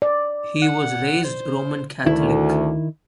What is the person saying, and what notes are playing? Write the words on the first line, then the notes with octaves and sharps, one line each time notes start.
He was raised Roman Catholic.
D5
F#5
C5
D2 D#3 E4